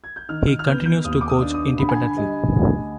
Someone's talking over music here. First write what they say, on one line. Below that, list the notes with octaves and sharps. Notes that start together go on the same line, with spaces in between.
He continues to coach independently.
G#6
G6
D#3 F6
F6
F6
B3 G6
G6
D#2 D#6
D6
D#6
D4
D#6
D3 B5
G#5
B5
G3 D#5
D2